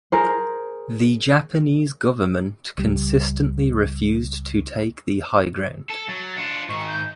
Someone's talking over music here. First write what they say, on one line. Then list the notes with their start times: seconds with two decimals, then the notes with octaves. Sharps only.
The Japanese government consistently refused to take the high ground.
0.12 G#4 A#4 C5
2.78 C#2 G3
5.90 A4
6.09 F#3 A6
6.37 D4 F4 C#7
6.69 G#2 D#3 C#6
6.88 G6